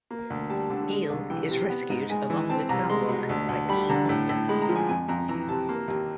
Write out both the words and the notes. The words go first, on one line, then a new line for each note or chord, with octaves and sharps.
Guile is rescued along with Balrog by E. Honda.
A#3
D2
G3 A5
D3
G#3
C2
E3 G5
C3
B3
G#2
G#3 G#5
E3
C4 A5
C2 A#5
G#3 C6
B2
D2
D2
G3 B5
D3 A#5
A2
A2
G#3 B5
A#5
F3
G#5
F2 G#5
F2 A#5
E3 A#5
C3 A5
A#3
D#2